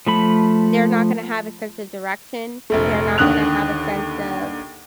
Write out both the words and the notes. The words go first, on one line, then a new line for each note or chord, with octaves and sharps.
They're not gonna have a sense of direction, they're not gonna have a sense of
F3 A3 B5
F1 A#1 A3
D#2 D3 D#3 D#6 F#6 F7